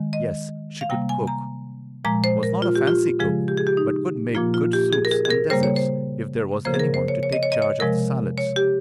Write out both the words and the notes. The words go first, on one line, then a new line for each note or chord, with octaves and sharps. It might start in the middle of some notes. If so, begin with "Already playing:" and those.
Yes, she could cook; was not a fancy cook, but could make good soups and desserts if there was any one to take charge of the salads.
Already playing: D#3 G#3
D#5
F5
C3 G3 A#3 G5
G#5
A#5
A#2 F3 G#3 A#5
C5
A#4
F4
G4
F4
C#3 F3 G#3 G#4
G4
G#4
G4
D#4
A#2 F3 A#3 F4
F4
G4
G#4
A#4
G#4
G#4
A#4
C#3 G3 A#3 C5
C#5
C5
C#3 F3 A#3 C5
G#4
A#4
C5
C#5
C#5
D#5
C#5
D#5
C#5
C3 F3 G#3 A#4
C#5
G4